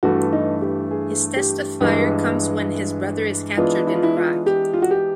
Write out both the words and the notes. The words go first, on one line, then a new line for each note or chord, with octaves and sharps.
His test of fire comes when his brother is captured in Iraq.
G2 E3 A3 F#4
D#4
G4
G#4
G4
G2 E3 G#3
E3 G#3 B3 D4 F4
E4
F4
E4
F4
G4
F4
F#4
G4